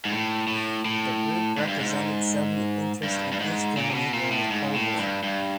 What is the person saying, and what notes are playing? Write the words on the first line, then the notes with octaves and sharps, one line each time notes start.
The group represented Soviet interests in East Germany during the Cold War.
G#2
A2
A2
A2
G#2
G2
G#2
G2
G2
G#2
A#2
C3
B2
A#2
A2
G#2
A2
G2
G2